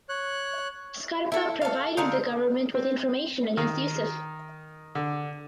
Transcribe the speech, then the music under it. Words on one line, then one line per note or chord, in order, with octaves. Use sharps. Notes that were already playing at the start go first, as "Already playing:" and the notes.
Scarpa provided the government with information against Yousef.
C#5 F#6
E4 A4
A4 F5
D3 D#4 F4 F5
C4
D#3
D3